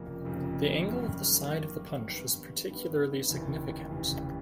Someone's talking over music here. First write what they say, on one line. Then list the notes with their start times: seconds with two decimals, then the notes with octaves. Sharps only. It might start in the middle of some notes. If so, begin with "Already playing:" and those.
The angle of the side of the punch was particularly significant.
Already playing: F1 F2 C#3 F3 A#3
0.25 F1 F2 C#3 F3 A#3
0.86 F#2 D#3 G3 A#3
1.46 F#2 D#3 G3 A#3
2.07 G2 D#3 G3 B3
2.69 G2 D#3 G3 B3
3.29 F1 D#2 C#3 E3
3.91 F1 D#2 C#3 E3